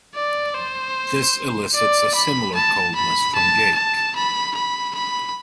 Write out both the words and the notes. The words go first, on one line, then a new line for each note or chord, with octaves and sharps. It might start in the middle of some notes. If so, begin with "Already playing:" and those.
This elicits a similar coldness from Jake.
D5
C5
D5
B5
A5
B5
A5
A5
B5
B5
B5